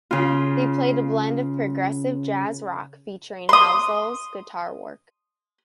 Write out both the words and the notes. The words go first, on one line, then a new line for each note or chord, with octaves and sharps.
They played a blend of progressive Jazz rock featuring Halsall's guitar work.
C#3 F4
C6 D#6